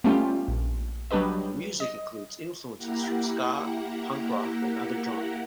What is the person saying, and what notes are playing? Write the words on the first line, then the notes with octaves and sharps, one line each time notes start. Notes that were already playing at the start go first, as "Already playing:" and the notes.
Their music includes influences from ska, punk rock and other genres.
G3 A3 B3 C#4 F4 G4
A#1
F#3 G3 D4 G4 B4 D#5
D#5
A#3 E4 G4 F#5 A#5